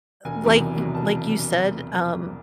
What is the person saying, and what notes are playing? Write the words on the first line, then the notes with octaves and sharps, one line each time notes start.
uh, like like you said, um,
E1 G#5
E2 C3 D#3 F#3
E1
E2 C3 D#3 F#3
E1 A5